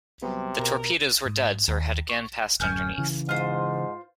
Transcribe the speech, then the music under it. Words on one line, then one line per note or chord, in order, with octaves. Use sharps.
The torpedoes were duds or had again passed underneath.
C3 F#3 G3 B3
B2 A#4
G#2
D#2
C#6
D1 F#2 C#4 G#5 G6
C#3 E3
G#2 F4 C5